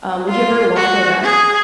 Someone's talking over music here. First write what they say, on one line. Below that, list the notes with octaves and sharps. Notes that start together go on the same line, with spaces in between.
rum, would you ever watch Below Deck?
F4
F#4
G#4